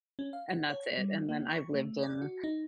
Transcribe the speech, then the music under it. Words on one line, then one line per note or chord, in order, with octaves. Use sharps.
And that's it, and then I've lived in
C#4
F5
F#5
C#5
G3
A#3
C#6
A3
D5
F#4
D#4